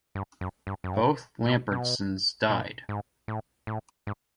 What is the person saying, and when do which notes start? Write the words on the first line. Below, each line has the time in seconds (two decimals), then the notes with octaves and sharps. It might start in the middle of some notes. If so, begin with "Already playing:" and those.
Both Lambertsons died.
0.15 G2
0.41 F#2
0.67 G2
0.84 F#2
0.93 G2
1.46 A#2
1.72 B2
2.50 A#2
2.89 G#2
3.28 A2
3.67 A2
4.07 G#2